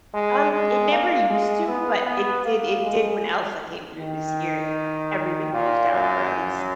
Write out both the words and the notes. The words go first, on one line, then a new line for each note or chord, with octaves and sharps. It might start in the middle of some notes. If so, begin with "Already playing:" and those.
Um, it never used to, but it did it did when Elsa came through this year, uh, everything closed down for at least
G#3
G#3
A#3
G#3
B3
B3
A#3
G#3
D#3
A#2
F#2